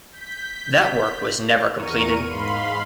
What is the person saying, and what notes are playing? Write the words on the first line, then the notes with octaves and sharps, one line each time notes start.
That work was never completed.
G6 B6
E2 A#4 C#6 D#7
G#2 F5 B5 C6